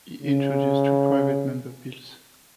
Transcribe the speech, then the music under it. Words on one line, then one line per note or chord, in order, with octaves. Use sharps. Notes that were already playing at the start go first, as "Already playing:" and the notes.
He introduced two private member bills.
C#3